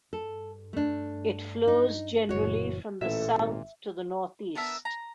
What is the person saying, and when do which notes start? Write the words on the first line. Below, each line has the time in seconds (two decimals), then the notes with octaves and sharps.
It flows generally from the south to the north-east.
0.13 G2 A4
0.73 A3 D4
1.67 D#4
2.29 F#1 A#2 E3 F#4 C#5
3.01 A1 A#2 A4 E5
3.34 G#1
4.55 B3 D4 A#4 E5
4.85 A#5